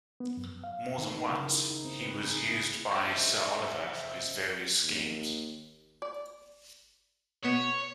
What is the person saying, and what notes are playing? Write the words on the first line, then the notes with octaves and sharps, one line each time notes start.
More than once, he was used by Sir Oliver for his various schemes.
B3
F#2
F5
D#3
D#4
C#3
E4
D#4
C4
B4
D#4
G#4
E4
C5 D#5 E5 A5
D#2
D5
B2 B3 C#5 E7